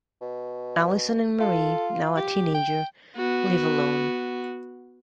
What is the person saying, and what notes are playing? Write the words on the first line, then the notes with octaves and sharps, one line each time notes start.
Allison and Marie, now a teenager, live alone.
B2
F4 A4
G4
G5
B3 F#4